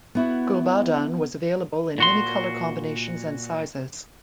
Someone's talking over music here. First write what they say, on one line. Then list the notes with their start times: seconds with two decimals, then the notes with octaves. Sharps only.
Gulbadan was available in many color combinations and sizes.
0.15 B3 E4 F#4
1.98 A#2 F#4 C6